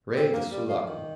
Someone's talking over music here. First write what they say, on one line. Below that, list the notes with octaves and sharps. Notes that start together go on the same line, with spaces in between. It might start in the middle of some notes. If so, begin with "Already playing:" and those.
Rey de Sulaco!
C4
A#3
G3
F3
D#3